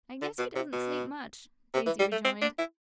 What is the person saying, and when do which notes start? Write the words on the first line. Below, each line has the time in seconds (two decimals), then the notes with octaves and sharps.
"I guess he doesn't sleep much," Daisy rejoined.
0.21 D3
0.38 B2
0.56 C3
0.72 B2
1.74 C3
1.86 E3
1.99 G3
2.12 A3
2.24 C4
2.41 D4
2.58 E4